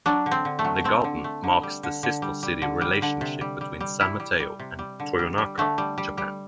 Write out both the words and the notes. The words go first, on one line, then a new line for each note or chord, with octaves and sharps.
The garden marks the sister-city relationship between San Mateo and Toyonaka, Japan.
F#3 D4
D3
C4
D3
A3
F#3
A3 C4
D3
A3
D3
G3
D3
D3
G3
G3
D3
G3
D3
C3
G3
G3
G3
G3 E4
G3
G3
C3
G3
D3
G3
G3
D3 A3
G3
G3
G3